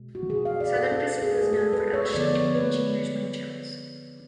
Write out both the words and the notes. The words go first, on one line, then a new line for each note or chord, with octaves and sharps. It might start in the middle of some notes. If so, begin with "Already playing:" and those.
Southern Pacific was known for L-shaped engineer's windshields.
Already playing: B2 G#3 B3
F#4
G#4
F5
D5
A4
D4
G#4
G#4
A4
B4
C#5
D3 F3 B3 D5
C#5
B4